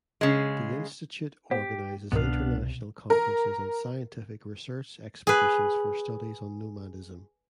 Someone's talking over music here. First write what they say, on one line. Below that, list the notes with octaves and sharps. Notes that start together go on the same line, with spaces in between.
The institute organizes international conferences and scientific research expeditions for studies on nomadism.
C#3 G#3
B3 G4 C5
C2 G#2 B2 D#3 B3 D4 F5
A#4
G#4 B4